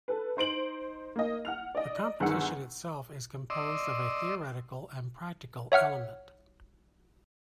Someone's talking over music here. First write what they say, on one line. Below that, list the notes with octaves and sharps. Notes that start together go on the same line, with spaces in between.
The competition itself is composed of a theoretical and practical element.
A4 B4
D#4 C5 D7 F#7
A#3 D#5
F#5 F6 F7
D5 D#5
G1 D#3 G#4 F#5 E6 C#7
D5 D#5 C6 E6
C#5 E5 F#5 F6